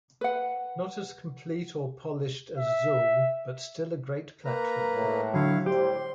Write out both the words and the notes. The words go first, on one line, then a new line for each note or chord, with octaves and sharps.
Not as complete or polished as "Zool", but still a great platform game.
B4 F#5
E5
A#3 B4 A#5
A2
D3 F#3 E4 C#5 F5
A2 G3 G4 C5 C6